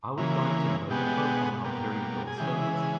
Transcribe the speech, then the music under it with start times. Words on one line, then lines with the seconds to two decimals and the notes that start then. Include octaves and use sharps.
Are we going to murder folk on our very door-stones?
0.18 C#3 E3 A#3
0.90 B2 G#3 B3 G4
1.64 B2 G3 A#3
2.27 G#4
2.38 C#3 E3 G#3 G4
2.62 E4